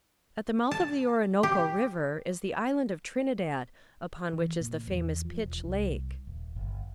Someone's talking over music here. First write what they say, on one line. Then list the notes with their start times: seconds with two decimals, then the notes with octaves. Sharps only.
At the mouth of the Orinoco river is the Island of Trinidad upon which is the famous pitch lake.
0.71 A5
1.43 G4
4.33 E3
4.61 A#2
4.87 E2
5.25 F3
5.43 E1
5.64 C2
6.27 D#1
6.56 G1